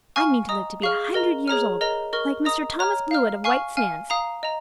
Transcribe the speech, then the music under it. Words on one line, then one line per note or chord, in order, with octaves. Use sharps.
I mean to live to be a hundred years old, like Mr. Thomas Blewett of White Sands.
F5 G#5 C#6 F6
D#5 A#5 D#6
G#4 F5 C#6 F6
A#4 D#5 A#5
G#4 C#5 A#5 F6
A#4 D#5 A#5
A#4 D#5 C#6 F6
D#5 A#5 D#6
C#5 A#5 F6
F5 A#5 F6
F5 G#5 C#6 F6
F5 G#5 F6
F5 A#5 D#6
D#5 A#5